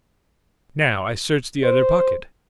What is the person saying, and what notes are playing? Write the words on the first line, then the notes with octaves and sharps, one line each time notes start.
Now I search the other pocket....
C5